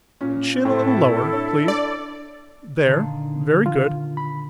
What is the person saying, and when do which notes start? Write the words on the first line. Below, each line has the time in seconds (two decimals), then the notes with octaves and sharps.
Chin a little lower, please--there, very good.
0.21 A#2 C#4
0.65 A2 C3 E4 A4
1.33 D4 C#5
1.68 D5
2.86 A#2 D3 D#3
3.66 F4
4.17 B5